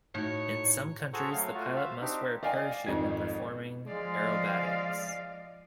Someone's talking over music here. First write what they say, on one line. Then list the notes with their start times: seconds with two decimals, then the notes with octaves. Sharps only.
In some countries, the pilot must wear a parachute when performing aerobatics.
0.15 A2 D#4 F#4 C#5
1.13 F#4 G#4 A4 C5 A#5 C#6
1.32 F#3 A3 F5
1.55 A3 F4 F#4
1.76 F#4 C5 E5 F5
2.01 C4 D4 D#4 G4
2.43 D5 D#5 F5 G5 G#5
2.86 G#1 F2 D#4 G#6
3.88 F3 G#3 D5 D#5 F5